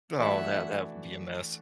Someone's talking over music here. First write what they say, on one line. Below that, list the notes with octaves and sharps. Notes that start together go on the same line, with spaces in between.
Oh, that that would be a mess.
E3 A3 D4 F#4 E5 F#5